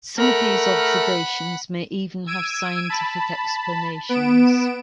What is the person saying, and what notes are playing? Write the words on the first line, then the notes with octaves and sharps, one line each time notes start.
Some of these observations may even have scientific explanations.
A3 A#4 F#5 B5
E6 G#6 D7 D#7
A5 B5
B3 D7 E7